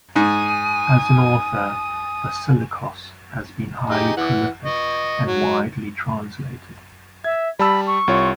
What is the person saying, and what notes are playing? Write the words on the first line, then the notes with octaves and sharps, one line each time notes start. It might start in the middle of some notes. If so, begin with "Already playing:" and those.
As an author, Vassilikos has been highly prolific and widely-translated.
G#2 G#5 D#6
D#4 G4 G#4
E3 F#5
D#5 C#6
F#3
E5 G#6
G3 A5 B5 E6
C#6
C2 F4 C#5